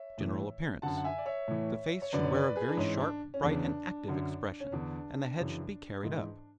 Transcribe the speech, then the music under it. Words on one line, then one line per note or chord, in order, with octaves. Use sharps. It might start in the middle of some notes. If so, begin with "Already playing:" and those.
GENERAL APPEARANCE--The face should wear a very sharp, bright and active expression, and the head should be carried up.
Already playing: C#5 E5
A2 E3
F#2 D3 F#5 A5
F#5
E5 G#5
D5
C#5 E5
A2 E3
C#5
F#2 D3 B4 D5
C#5
B4 D5
G#4 B4
D4
G#2 E3 C#4
C#4
D4
C#4
E2 C#3 E3 D4
F#2 D3
C#4
E2 D3 D4
F#2 C#3 E3
G#2 E3